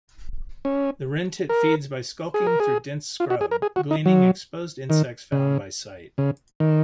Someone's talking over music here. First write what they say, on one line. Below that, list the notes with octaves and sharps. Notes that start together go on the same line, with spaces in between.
The wrentit feeds by skulking through dense scrub gleaning exposed insects found by sight.
C#4
A#4
G#4
A#4
G#4
F4
F#4
G#4
A#4
G#4
F#4
D#4
F#3
D#3
C#3
C#3
D#3